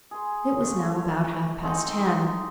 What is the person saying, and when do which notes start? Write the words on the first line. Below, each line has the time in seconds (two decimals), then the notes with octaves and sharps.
It was now about half-past ten.
0.11 G#4 C6
0.61 D3 A3
0.92 C#5
1.62 G#3 A3 C4 D#4